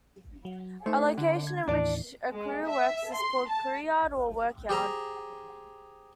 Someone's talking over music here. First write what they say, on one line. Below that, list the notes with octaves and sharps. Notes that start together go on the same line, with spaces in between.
A location in which a crew works is called a crewyard or a workyard.
F#3
A3 D#4 C5
D3 F#5
G#6
D#2 A2 E3 D4 D5
G#3
E5
C6
A5
G4 G#4 C5 A#5